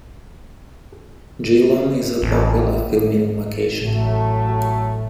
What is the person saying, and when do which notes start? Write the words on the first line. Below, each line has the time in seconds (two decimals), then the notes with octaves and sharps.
Geelong is a popular filming location.
2.22 A1
3.82 A1 A2 F#3 A3